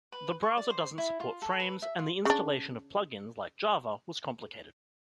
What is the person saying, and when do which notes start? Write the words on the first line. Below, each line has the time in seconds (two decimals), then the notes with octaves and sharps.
The browser doesn't support Frames and the installation of plugins like Java was complicated.
0.12 B4
0.43 C#6
0.57 D5
0.70 C5
0.98 E4
1.20 F4
1.42 A4
1.60 B4
1.82 E5
1.99 F4
2.25 C#3 D4